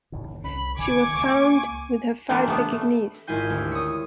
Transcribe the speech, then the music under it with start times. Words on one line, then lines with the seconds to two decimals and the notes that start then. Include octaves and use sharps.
She was found with her five Pekingese.
0.12 F#1 D#2 A2
0.44 C2 C#4 B5
0.78 D1 D#3 G#5 C#6 D6 G#6
1.14 C#2 A#3
2.29 E3 A#3 D4 F4 G4 A4
2.48 A3 B3 D4
2.72 A3
3.27 G#1 E4 F4 G#5 G6
3.50 D2 G4 E6
3.72 C#5 D#6